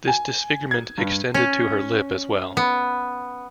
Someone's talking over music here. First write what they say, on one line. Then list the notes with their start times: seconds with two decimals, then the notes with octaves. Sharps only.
The disfigurement extended to her lip as well.
0.07 G#5
0.71 G#6
0.98 G2
1.34 C#4
2.57 B3